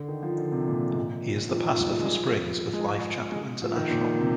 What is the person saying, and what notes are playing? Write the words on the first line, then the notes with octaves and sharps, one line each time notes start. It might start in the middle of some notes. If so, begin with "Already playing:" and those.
He is the pastor for Springs of Life Chapel International.
Already playing: D3
D#3
F3
D3
C3
A#2
G#2
A#2
F3
D#3
F3
G3
G#3
F3
G#3
G#3
F3
D#3
A#2
C3